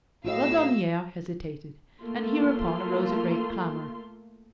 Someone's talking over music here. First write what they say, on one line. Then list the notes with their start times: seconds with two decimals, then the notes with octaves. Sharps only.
Laudonniere hesitated, and hereupon arose a great clamor.
0.25 A2 F4 F#4 D#5 F5 E6
2.02 A3 A#3 F4 C6